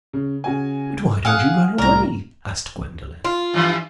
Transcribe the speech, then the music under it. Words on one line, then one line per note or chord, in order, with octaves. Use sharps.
"But why don't you run away?" asked Gwendolen.
C#3
C#3 F#4 G#5
G#4 F5 F#5 G#5 D#6 F6
C2 A2 A#4 A#5
F4
G2 E3 F3